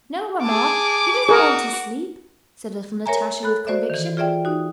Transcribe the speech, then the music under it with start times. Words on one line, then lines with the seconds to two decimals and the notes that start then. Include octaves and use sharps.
"No, Mamma, he doesn't want to sleep," said little Natasha with conviction.
0.42 G#4 A5 D6
1.29 F#4 G#4 A#4
3.06 A#4 C#5 E5 G#5 A#5
3.43 A4 B5 F#6
3.67 F#4 C5 D5 E5
3.90 D#3 E3
4.17 F4 G#4 D5 E5 G5
4.45 D#4 F#4